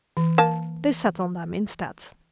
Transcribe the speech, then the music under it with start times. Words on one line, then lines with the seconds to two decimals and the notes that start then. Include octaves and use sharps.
They sat on them, instead.
0.17 E3
0.38 A#3 A5